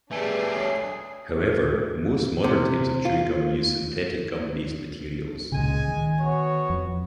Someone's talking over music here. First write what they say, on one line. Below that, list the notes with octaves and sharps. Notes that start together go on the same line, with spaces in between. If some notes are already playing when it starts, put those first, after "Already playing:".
However, most modern types of chewing gum use synthetic gum based materials.
G3 A3 D4 G#4 B4 G#5 C7
C#5 D#6
C3
F4
C#2 A#2 C#3 G#3 G#5
D#3
B3 F#4 C#5
F2